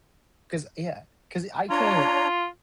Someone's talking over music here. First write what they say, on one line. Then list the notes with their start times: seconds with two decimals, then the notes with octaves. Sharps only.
'cause, yeah 'cause I can't
1.70 D4 F4 C#5 A#5